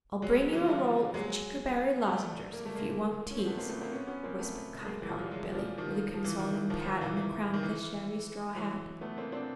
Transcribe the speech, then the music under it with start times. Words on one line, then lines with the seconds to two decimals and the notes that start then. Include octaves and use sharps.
"I'll bring you a roll of chickerberry lozengers, if you won't tease," whispered kind-hearted Billy, with a consoling pat on the crown of the shabby straw hat.
0.22 F#3 G#3
0.53 E3 F#3
0.64 F#3
0.68 F3 G3
1.14 F#3 G#3
2.07 G3 A3
2.53 A#3
2.65 A3
2.75 G#3 A#3
3.31 C#4
3.38 C4
3.46 A3 B3
3.58 A#3 C4
3.69 A3 B3
3.81 A#3 C4
3.92 B3 C#4
4.07 B3 C#4
4.23 A#3 C4
4.39 A3 B3
4.81 A3
4.85 G#3 A#3
5.02 E3
5.09 F3
5.17 F#3
5.23 G3
5.31 F#3 G#3
5.54 F3 G3
5.78 D#3 F3
6.14 F3
6.24 E3
6.39 D#3
6.54 E3
6.70 D#3 F3
6.85 D#3 F3
7.01 E3
7.17 E3
7.54 D#3
7.63 E3
8.55 E3 F#3
9.01 A3 B3
9.17 A#3 C4
9.32 C4 D4